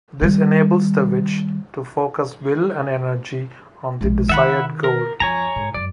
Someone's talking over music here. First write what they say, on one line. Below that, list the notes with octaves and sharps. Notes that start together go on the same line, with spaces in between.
This enables the witch to focus will and energy on the desired goal.
D#3 G3
A#1 G#3
D#3 E5 F#5 B5
A#4
F2 C#5 G#5 A#5
G#2
F#2 D5